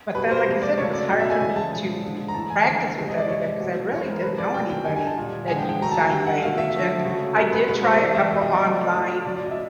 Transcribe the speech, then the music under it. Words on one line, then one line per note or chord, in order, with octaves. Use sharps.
but then, like I said, it was hard for me to practice with anybody 'cause I really didn't know anybody that knew sign language, and I did try a couple online
B2 G3 B4
C5
C3 F3 G#3
D5
C#3 F#3 A3 C#5
D5
B2 F#3 A3 D#5
E5
G#5
C#3 E3 G#3 G#5
A5
A#2 F3 G#3
D3 F3 G#3
A#5
A2 E3 A3 A5
G#5
D3 F3 A3 G#5
C3 F3 G#3
D#5
D5
C3 F3 G#3 C#5
D5
B2 F#3 A3
A2 E3 G#3 C#5
C5
A#4
C3 F3 G#3 B4
D5
B2 F#3 A3 G5
G5
D3 G3 G#5
G#5
A5
A#2 G3
D3 F3 G#3 G#5
G5
G5
D3 F#3 A3 A#5
A5
G#5
D3 G3 G5
F#5
B2 F#3 A3 F5
E5
D3 F3 A3
C#3 F#3 A3
B2 G3 A#4
B4
B2 G#3 B4
C5
C3 E3 G#3 D5
E5
B2 G3 D#5
D#5
D5
C#3 F3 A3
A2 F#3 A3
C#3 F#3 A3 D5
D5
D#5
E5